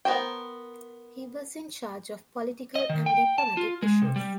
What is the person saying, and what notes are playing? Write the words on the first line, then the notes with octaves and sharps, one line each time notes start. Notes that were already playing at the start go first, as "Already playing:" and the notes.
He was in charge of political and diplomatic issues.
B3 A#4 C5 G5
D#5
D#3
G5
A5
F4
G#3
C3
G3